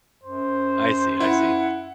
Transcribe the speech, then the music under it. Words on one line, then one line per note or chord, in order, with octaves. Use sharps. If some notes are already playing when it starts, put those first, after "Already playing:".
I see, I see.
F#2 C5
E4 F#5